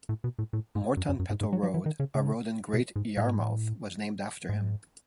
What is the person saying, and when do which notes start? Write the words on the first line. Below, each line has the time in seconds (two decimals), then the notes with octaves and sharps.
Morton Peto Road, a road in Great Yarmouth, was named after him.
0.09 A2
0.24 B2
0.39 A2
0.53 A2
0.75 G#2
0.97 F#2
1.09 F#2
1.19 F#2
1.30 G#2
1.41 G#2
1.53 F#3
1.63 F#3
1.74 E3
1.86 D#3
2.00 C#3
2.15 C#3
2.73 B2
2.96 G#2
3.17 A2
3.29 G#2
3.40 A2
4.49 G#2